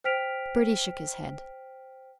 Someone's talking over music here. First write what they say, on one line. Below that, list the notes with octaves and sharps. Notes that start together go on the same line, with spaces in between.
Bertie shook his head.
C5 G5 F6 B6 D7 F7